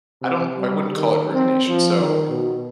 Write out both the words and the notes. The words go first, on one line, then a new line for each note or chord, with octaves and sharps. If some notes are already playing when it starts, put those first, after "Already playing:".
I don't I wouldn't call it rumination. So,
C3
G3
D#3
C4
F3
D#3
B2